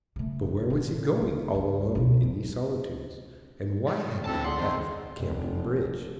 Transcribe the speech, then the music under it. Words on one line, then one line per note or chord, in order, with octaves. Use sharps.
But where was he going all alone in these solitudes and why had he left Camden Bridge?
C#3 A3
A#2 D#3
C#3
C#2
C#2 B2
F#3
D#3
D2 A2 D#3 C4 A4 A5
F2 G#4 D5 F#5 C6
D#3 C4 D#4
F1